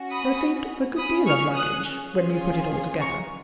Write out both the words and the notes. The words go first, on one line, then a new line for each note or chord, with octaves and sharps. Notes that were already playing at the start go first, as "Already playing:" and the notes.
There seemed a good deal of luggage, when we put it all together.
Already playing: C#4 F#4
B5 D#6
C#4 G#4 B5 D#6
C#6 F6
D#6 F#6
C#4 F4 G#4
A#5 C#6